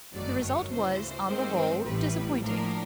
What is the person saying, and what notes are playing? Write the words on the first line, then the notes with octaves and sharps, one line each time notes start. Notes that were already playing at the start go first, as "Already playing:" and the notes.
The result was, on the whole, disappointing.
G1 F#2 D#3 F#3 A3 D5
C#5
D2 C#3 E3 C5
G2 D#3 G#3 C4
A1 A2 E3 G3 B4
A2 F3 A#3 D4 A#4